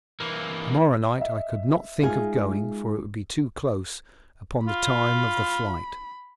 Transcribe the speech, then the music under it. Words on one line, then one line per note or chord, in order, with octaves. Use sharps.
To-morrow night I could not think of going, for it would be too close upon the time of the flight.
E3 A#3
D#5 E5
G#3 D#4 F4 G#4
F4 B5